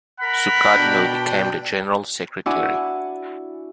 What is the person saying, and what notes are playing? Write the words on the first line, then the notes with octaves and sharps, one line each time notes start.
Sukatno became the general secretary.
A#4 F#5 B5
B2 D4 G5
D4 E4 F#4 F#5 G#5 D6